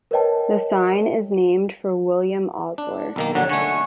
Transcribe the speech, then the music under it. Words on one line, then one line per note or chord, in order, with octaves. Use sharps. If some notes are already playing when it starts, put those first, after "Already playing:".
The sign is named for William Osler.
A#4 B4 C#5 D#5 G5 A5
D4
B1 D#3 A#3
A#1 D3 F#3 C#5 F#5
D3 A3 F#5 G#5 C#6